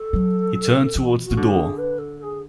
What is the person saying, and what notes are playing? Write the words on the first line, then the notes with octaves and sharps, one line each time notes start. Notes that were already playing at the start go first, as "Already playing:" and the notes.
He turned towards the door.
Already playing: A4
F#3
E3
F#4
E3
D3
G#4
B4
A4
A4
G#4